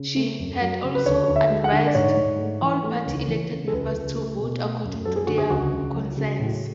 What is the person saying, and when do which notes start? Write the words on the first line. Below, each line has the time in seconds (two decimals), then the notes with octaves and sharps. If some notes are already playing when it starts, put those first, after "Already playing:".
She had also advised all party elected members to vote according to their conscience.
Already playing: C#3
0.16 A3
0.39 F#2
0.61 F#3
0.84 C#3
0.95 B4
1.05 D2 C#5
1.28 D2
1.36 E5
1.50 G#3
1.64 F#5
1.72 D3
1.87 D5
1.95 G#2 C#5
2.17 G#2
2.38 A3
2.62 E3
2.83 A3
3.06 C#2
3.28 E3
3.50 C#3
3.68 A4
3.72 C#2 B4
3.95 C#2
4.17 A3
4.38 B2
4.61 A3
4.84 F#2
5.05 F#3 A4
5.16 G#4
5.27 D3 F#4
5.38 G#4
5.50 C#2 F#4
5.73 C#2
5.94 F#3
6.17 C#3
6.39 A2